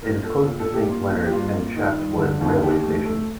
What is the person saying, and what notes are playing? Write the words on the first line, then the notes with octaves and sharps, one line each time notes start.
It is close to Saint Leonards and Chatswood railway stations.
A#2 A#4
A#2 A4
A#2
A4
A#2
G4
A#3 F4
A#2
G4
G2 F4
A#3
D#3
G2
D3
D#2
D#3 G4
A3
A3 A4